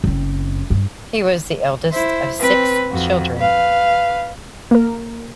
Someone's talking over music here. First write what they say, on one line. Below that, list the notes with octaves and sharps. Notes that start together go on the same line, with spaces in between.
He was the eldest of six children.
F#1 C4
G2
E4 C5
C4 B4
F2 F#4
B4 F5
A#3 A#4